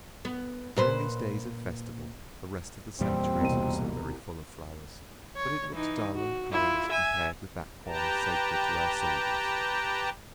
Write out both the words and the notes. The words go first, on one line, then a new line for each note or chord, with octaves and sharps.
During these days of festival, the rest of the cemetery is also very full of flowers, but it looks dull and colourless compared with that corner sacred to our soldiers.
B3
A#2 B4 C5
E2 A#2 G3 C4
C2 B2 D#7
C#5
E3 D#4
F#4
E4 F4
E5 G#5
G4 B4 G5 A5 A#5